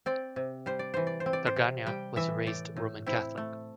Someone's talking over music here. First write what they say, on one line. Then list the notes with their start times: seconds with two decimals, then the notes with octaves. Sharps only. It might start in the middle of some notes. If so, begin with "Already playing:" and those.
Draganja was raised Roman Catholic.
0.06 C4 D5
0.36 C3
0.66 G3 C5
0.79 D5
0.94 E3 C5
1.07 D5
1.20 C5
1.26 C4
1.33 D5
1.47 C5
1.56 C3
1.86 G3 G5
2.16 E3 E5
2.47 A2 D5
2.76 A2
3.06 C4 E4
3.37 A3